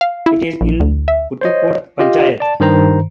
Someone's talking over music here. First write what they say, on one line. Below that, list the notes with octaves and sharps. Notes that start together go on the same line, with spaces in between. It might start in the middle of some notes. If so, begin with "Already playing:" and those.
It is in Puthucode Panchayath.
F5
E4
A#1
D2
E5
C5 C#5 D#5
F4 G4 D#5 F5
D5 A5
G2 D#3 C5 A#5